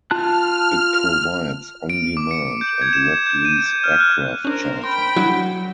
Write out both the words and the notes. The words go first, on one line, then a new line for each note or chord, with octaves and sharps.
It provides on-demand and wet lease aircraft charter.
F4 A5 F6 F#6
D7
D6
C#7
G6
G#6
E7
G6
D#7
G6
F6
F#6
C#4 D4 A#4 C5
G5 B5 C6
F#3 G3 D4 E4